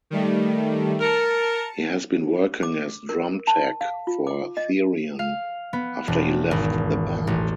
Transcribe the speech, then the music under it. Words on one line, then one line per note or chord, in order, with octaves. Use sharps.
He has been working as drum tech for Therion, after he left the band.
D#3 G3 A3
A#4 A5 C#7
D6
A#4
A5
F5
F4
D6
D#5
F5
B3
E1
G#1
A1